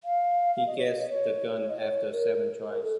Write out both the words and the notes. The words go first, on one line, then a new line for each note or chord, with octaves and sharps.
He gets the gun after seven tries.
F5
F5
D#5
C#5
D#5
D#5
C#5
C#5
D#5
C#5
A#4
C5
A#4
A4